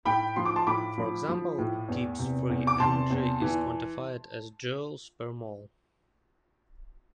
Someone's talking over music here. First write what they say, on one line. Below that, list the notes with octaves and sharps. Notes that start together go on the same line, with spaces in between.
For example, Gibbs free energy is quantified as joules per mole.
A2 G5 B5
F3 C6
D6
A5 C6
A2 B5 D6
F3
F3
A2
E2
C3
E2
D6
C3 A5 C6
E2
E3